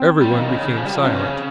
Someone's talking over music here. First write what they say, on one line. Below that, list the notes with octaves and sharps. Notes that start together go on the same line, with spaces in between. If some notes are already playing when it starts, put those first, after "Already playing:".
Everyone became silent.
Already playing: C4
G3
F3
D#3
C#3
F3
G3
F3
C3 C#4
C#3